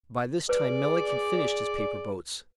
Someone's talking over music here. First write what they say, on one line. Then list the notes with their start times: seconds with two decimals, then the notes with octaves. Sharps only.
By this time Melick had finished his paper boats.
0.49 G#4 B4 D5